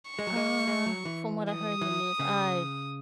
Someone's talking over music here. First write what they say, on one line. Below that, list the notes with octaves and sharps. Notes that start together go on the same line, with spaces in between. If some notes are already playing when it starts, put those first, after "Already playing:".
Uh, from what I heard in the news, I
C#6
G#3
F#3
G#3
G#3
F#3
E3
D#6
E3
C#3